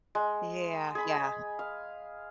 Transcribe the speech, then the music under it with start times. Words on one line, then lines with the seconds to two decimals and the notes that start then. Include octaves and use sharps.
Yeah, yeah.
0.15 G#3
0.95 G#4 B5
1.59 F5